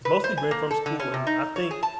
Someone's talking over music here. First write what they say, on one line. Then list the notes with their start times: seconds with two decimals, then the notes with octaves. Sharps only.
it's mostly been from school, and I think
0.05 B4
0.24 C5
0.38 G#5
0.51 A#3
0.71 A4
0.86 D3
1.00 C#4
1.14 C3
1.27 D#4
1.56 C#5
1.71 G#4
1.83 A5